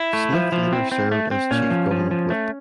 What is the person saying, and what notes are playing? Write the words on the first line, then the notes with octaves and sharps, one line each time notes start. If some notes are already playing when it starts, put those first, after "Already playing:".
Smith later served as Chief Government Whip.
Already playing: E4
A3
F3
F3
C4
C4
A3
C4
A#2 C#4
F3
F3
F3
A3